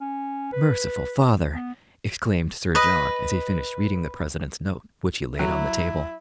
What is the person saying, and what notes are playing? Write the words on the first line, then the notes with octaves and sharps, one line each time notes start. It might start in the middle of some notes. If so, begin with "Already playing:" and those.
"Merciful Father!" exclaimed Sir John, as he finished reading the President's note, which he laid on the table.
C#4
B4
B3
B4 D#5
F#3 E4